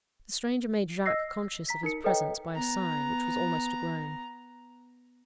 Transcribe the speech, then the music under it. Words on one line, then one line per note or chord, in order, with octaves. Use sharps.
The stranger made Jacques conscious of his presence by a sigh, which was almost a groan.
D#5 E6 A#6 C7
E6
A#5 B6
D#4 A#4 C#7
A4 B4 C#5 D#5 G5 A#5
B3 A#5